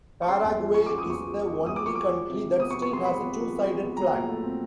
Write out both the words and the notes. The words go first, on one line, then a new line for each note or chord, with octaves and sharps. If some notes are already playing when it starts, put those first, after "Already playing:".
Paraguay is the only country that still has a two-sided flag.
C#6
C#3 C6
E2
F3
G#3 C#6
D6
C#3
D#6
E2 C#6
F3
G#3
C#3
E2 D#6
D6
F3 C#6
G#3 D6
F3
C3
G#3
B3 D#6
C#6
F3
C#6
C3 C6
G#3 B5
B3
F3
C3
G#3
B3
F#3 A#5
A#2
A3
C4